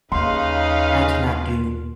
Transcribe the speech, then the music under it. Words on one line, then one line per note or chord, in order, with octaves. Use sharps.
I cannot do
D#2 C#3 D#4 B4 F5 C6